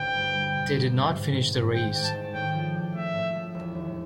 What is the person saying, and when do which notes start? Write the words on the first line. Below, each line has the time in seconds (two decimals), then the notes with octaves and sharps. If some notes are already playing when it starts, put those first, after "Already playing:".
They did not finish the race.
Already playing: A1 D2 D3 G5
0.14 G2
0.34 G3
0.53 D3
0.74 A1
0.93 G2
1.14 G#2
1.34 D#3
1.54 G#2
1.74 G#3 G5
1.95 G#2
2.04 A5
2.14 D#3
2.34 A2 G5
2.55 F3
2.74 D4
2.95 A3 E5
3.15 A2
3.35 F3
3.55 E1
3.75 D#2